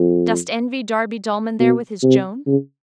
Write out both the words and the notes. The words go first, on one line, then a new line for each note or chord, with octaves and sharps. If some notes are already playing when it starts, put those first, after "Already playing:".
Dost envy Darby Dullman there with his Joan?
Already playing: F2
B2
C3
C#3